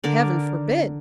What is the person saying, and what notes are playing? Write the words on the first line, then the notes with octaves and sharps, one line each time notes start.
Heaven forbid!
D3 A#4 D5